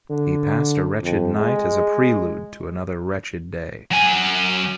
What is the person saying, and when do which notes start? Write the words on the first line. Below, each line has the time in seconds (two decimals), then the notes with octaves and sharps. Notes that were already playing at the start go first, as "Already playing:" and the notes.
He passed a wretched night as a prelude to another wretched day.
0.11 D3
1.02 F2
1.37 G#3
3.91 F#3 G#5